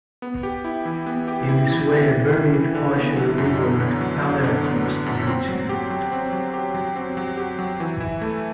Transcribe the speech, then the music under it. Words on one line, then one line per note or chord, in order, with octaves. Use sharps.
In this way a buried, partially reworked paleokarst originated.
B3
G4
E4
E3
B3
G4
E4
E3
B3
G4
E4
E3
D3
B3
F#3
F#2
D3
B3
F#3
F#2
D3
B3
F#3
F#2
C4
F#3
G4
F#3
C4
F#3
G4
F#3
C4
F#3
G4
F#3
E3
E4
A3